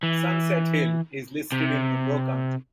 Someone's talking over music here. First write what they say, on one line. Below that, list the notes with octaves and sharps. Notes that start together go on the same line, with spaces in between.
Sunset Hill is listed in Monroe County.
E3
C3